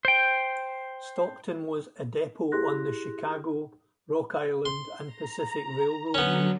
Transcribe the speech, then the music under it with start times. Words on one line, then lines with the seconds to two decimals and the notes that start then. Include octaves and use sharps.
Stockton was a depot on the Chicago, Rock Island and Pacific Railroad.
0.05 C5 G5
2.52 E4 G4 G#4 C6 F#6 A#6
4.65 C6
5.06 A#5
6.14 D3 F#3 B3 C#4